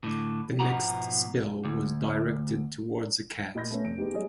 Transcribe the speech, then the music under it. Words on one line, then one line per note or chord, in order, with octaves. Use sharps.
The next spell was directed towards a cat.
A2 D3
G#2 B2 F3 B4 F#5 A#5
D2
A#2 D#5 B5 G6 A#6
A3 B3 C#4
F1 D7
G#3 B3 D#4 G4
F#3 G3 G#4 C#5 D#5